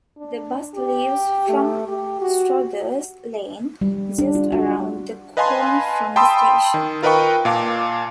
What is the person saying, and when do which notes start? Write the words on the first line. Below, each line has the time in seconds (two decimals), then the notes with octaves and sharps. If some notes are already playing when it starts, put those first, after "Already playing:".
The bus leaves from Strothers Lane, just around the corner from the station.
0.17 D4
0.75 G4
1.49 A3
1.88 G4
2.21 F#4
3.81 G3
4.19 D4
4.35 F4
4.52 F#4
5.37 B4 D#5 F5 G#5 A5 C6
6.16 G5 A5 B5 C6 D#6 E6
6.74 D#3
7.03 F4 A#4 B4 D#5 G5 C#6
7.45 A#2 F5 A5 D6